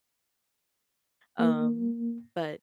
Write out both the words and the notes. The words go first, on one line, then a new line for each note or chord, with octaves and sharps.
Um, but
A#3